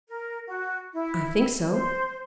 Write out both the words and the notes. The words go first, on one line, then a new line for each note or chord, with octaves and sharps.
"I think so."
A#4
F#4
E4
C5